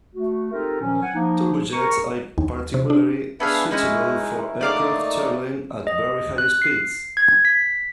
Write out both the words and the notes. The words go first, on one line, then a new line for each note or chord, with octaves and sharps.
Turbojets are particularly suitable for aircraft travelling at very high speeds.
A3 F#4
C4 D#4 F4 G4 A4 A#4
A#2 D#3 F3 F#3 C#4
F#5 G#5
F3 A#3 D#4
A#4 A#5 C#6
D#2
C3
D4
B3 D4 G#4 B4 E5 F5
G#3 C#4 D#4 E4
A3 A#3 D#4 D5 F5 D6
D#5
F#6
C7
G#6
B6